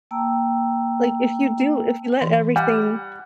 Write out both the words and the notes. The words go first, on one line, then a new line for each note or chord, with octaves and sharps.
like if you do if you let everything
A#3 G5 A5 A#5 E6
E3 C6
G3 F#5